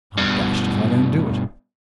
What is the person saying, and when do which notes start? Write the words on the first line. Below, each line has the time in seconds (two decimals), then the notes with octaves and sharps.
'I'm dashed if I don't do it.
0.17 G2 B2